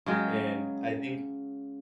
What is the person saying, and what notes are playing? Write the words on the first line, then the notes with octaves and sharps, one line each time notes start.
and I think
C#3 F#3 G#3 G5